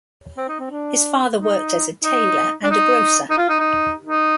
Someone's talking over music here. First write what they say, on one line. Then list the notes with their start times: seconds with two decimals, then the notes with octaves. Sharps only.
His father worked as a tailor and a grocer.
0.37 C4
0.49 D#4
0.60 C4
0.71 D4
1.38 D#4
2.04 D#4
2.64 D4
2.71 D#4
3.30 D#4
3.38 F4
3.50 D#4
3.60 D#4
4.05 D#4